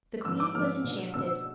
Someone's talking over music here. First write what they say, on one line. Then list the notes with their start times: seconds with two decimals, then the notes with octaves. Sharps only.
The queen was enchanted.
0.25 G#2 F3 B3 E6
0.40 D6
0.55 G#2 F3 B3 F6
0.84 B2 B3 D4
1.14 B2 B3 D4 E6